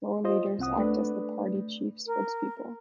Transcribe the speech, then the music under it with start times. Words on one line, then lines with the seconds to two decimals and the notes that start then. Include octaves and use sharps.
Floor leaders act as the party chief spokespeople.
0.24 F4 C5 D#5
0.59 C2 C4 F#5 D#6
0.78 A3 D4 B4 D5
2.07 A#4